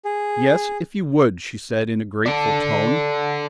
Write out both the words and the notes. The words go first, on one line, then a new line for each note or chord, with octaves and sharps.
"Yes, if you would," she said in a grateful tone.
G#4
D4 A4